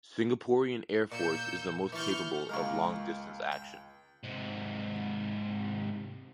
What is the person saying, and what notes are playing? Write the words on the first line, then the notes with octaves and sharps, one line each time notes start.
Singaporean air force is the most capable of long distance action.
A#2 E6 G6 C#7
E3 A5 C#6 F6 G6
C#2 G#3 A#3 A#5 C#6 F6
G5
G#2 C3